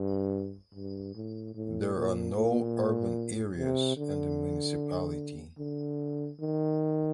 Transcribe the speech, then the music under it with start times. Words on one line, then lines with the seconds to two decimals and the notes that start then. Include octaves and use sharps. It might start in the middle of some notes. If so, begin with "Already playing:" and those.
There are no urban areas in the municipality.
Already playing: G2
0.74 G2
1.15 A2
1.55 A2
1.95 A#2
2.35 A#2
3.57 C3
3.97 D3
5.58 D3
6.40 D#3